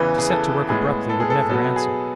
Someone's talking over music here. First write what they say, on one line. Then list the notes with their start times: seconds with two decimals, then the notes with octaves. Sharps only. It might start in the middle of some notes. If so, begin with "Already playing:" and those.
To set to work abruptly would never answer.
Already playing: E2 C#3 E3 B4
0.19 G#4
0.30 A4
0.69 A2 G#3 B3 G#4
1.09 A4
1.20 G#4
1.30 A4
1.50 B2 F#3 B3 A4
1.76 G#4